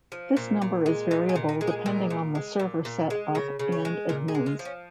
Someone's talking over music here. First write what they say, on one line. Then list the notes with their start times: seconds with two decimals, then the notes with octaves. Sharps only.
This number is variable depending on the server set up and admins.
0.12 F3
0.37 A#2
0.62 A#2
0.86 G#3
1.11 A#2 D#4
1.29 G#4
1.35 A#2
1.49 D#4
1.61 G#3
1.67 G#4
1.86 A#2 A#4
2.10 A#2
2.35 G#3
2.59 A#2
2.85 A#2
3.10 G#3
3.35 C#3 A#4
3.59 C#3
3.72 C#5
3.85 G#3
4.09 A#2 A#4
4.28 G#4
4.35 G#3
4.46 F4
4.59 F3
4.65 C#4